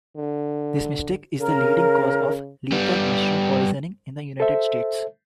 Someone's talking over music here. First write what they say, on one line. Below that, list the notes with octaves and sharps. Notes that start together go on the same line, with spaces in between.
This mistake is the leading cause of lethal mushroom poisoning in the United States.
D3
C#3 A#4
G3 B3
A4 C5 E5